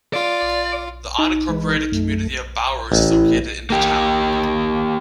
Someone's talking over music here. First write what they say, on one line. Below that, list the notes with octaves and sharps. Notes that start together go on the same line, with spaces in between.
The unincorporated community of Bowers is located in the town.
F4 D5
D#4
E3 G#3 B4
F#2 A3
A1
E4
A#3 G4